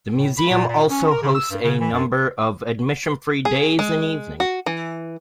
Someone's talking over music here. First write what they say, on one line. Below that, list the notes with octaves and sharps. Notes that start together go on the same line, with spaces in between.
The Museum also hosts a number of admission-free days and evenings.
A2
B5
A#2
A#2
C#4
A#4
C#3
E6
G2
C#3
E3
F#2
G#4
G#3
F#4
E3